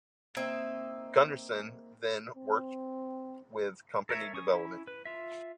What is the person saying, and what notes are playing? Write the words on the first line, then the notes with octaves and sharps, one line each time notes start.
Gunnarsson then worked with company development.
A#3 C4 D#4 E5
C4
A4 A#4 C#5 E5
C#4 C#6 D#6
C#4 E4
B4
F4 E5